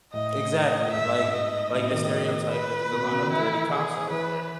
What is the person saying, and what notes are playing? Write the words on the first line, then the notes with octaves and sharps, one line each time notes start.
Exactly, like like the stereotype that there's a lot of dirty cops out there.
A2 D#5
G#2 E5
D#5
A2
B2
D#3
B4
B2
B2
C#3
D#3
E3 E4
G#4
E3 B4